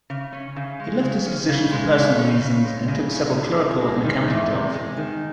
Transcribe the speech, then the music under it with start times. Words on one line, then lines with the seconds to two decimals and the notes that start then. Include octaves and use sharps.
He left his position for personal reasons and took several clerical and accounting jobs.
0.10 C#3
0.33 C#4
0.56 C#3
0.80 G#3
1.02 C#3
1.26 C#4
1.49 C#3
1.72 G#3
1.95 C#3
2.19 C#4
2.41 C#3
2.65 G#3
2.88 C#3
3.12 C#4
3.35 C#3
3.57 C3
3.81 G#3
4.04 D#3
4.28 E2
4.51 C3
4.74 G#3
4.97 D#3